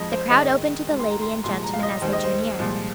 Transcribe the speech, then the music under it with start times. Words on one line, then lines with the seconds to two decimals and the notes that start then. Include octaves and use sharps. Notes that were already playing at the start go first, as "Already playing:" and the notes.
The crowd opened to the lady and gentleman as they drew near.
Already playing: F2 F3 G#3 D#5
0.11 C5
0.30 G#2 D#3 G#3 D#5
0.87 D#2 D#3 G#3
0.99 C6
1.10 A#5
1.22 C6
1.44 C2 A#2 F3 G#3 C6
1.63 A#5
1.73 F5
1.83 D#5
2.02 D#2 D#3 G#3 C5
2.13 D#5
2.24 C5
2.59 C2 A#2 F3 G#3